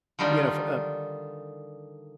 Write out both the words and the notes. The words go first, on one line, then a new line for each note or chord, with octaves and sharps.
you know, f uh
D3 D#3 G3 D#4 F4